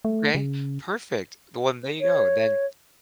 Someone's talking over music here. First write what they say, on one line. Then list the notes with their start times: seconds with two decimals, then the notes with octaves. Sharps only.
Okay. Perfect. The one there you go. Then
0.05 A3
0.35 C#3
2.01 C#5